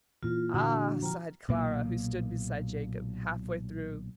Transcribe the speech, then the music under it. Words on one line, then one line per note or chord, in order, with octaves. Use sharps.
"Ah," sighed Clara, who stood beside Jacob, half-way through.
A#2 E3 F4
A#2 D3 D4 F#4
F3 F4 G5 A#5
B1 A#2 A#3